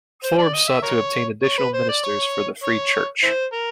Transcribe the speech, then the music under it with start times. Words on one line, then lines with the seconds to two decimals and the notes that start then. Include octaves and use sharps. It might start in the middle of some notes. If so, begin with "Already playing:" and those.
Forbes sought to obtain additional ministers for the Free Church.
0.24 C5
0.38 D5
0.53 D#5
0.68 E5
0.83 A#4 C#5
1.43 C#5
1.58 B4
1.74 C5
1.89 D5
2.04 C#5
2.64 C#5
3.23 E4 C5
3.52 A#4